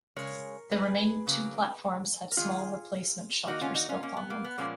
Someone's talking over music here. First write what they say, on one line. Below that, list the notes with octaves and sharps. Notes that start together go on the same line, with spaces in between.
The remaining two platforms had small replacement shelters built on them.
C#3 G#3 A#4 C#5
G#4 B4
C#3 F#3 A#3
A#4
D#3 G#3 F4 G#4
D#3 A#3 D#4 F#4
C#4 F4
D#4 F#4
C#4 F4
A#3 C#4
B3
A#3
B3
A#2 F3 G#3 A#3 C#4